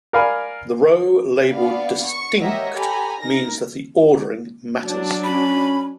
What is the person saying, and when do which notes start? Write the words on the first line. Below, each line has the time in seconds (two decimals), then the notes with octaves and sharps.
The row labeled "Distinct" means that the ordering matters.
0.13 A#4 D5 F5 G#5 B5
1.51 B3 D4 D5 F5
2.07 C#6 C#7
2.40 G4 A#4 C#5 D#5 E5 F#5
2.75 G4 A4 G#5 A#5 B5
3.21 D#4 A#4 A#6
4.85 F#3 D4
5.24 C#4 B5